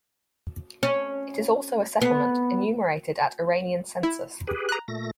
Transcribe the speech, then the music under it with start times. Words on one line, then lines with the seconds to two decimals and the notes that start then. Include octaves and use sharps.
It is also a settlement, enumerated at Iranian census.
0.83 C#4
2.02 B3
4.03 E4
4.47 G4 G#4 B4
4.69 A#5 F#6
4.88 A#2 A3 A#6